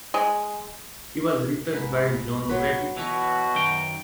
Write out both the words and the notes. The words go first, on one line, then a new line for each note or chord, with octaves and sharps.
He was replaced by John Levy.
G#3
G#2 B4
F#3 B4
B2 E3 F#4 A#5 B5 C#6
F#2 D#3 G5